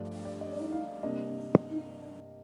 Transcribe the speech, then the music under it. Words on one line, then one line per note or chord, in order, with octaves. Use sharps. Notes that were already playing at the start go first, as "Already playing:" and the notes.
Pant mostly wrote in Sanskritized Hindi.
Already playing: G2 F3 A3 D4 D5
D5
D#5
F5
C3 G3 A#3 D4 D#5